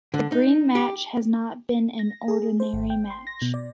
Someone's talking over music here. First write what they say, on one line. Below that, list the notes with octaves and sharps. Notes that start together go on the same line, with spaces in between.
The great match had not been an ordinary match.
D3
D#4
G4
A#6
G#4
C5
G#1
G5
C6
A#6
B2
D5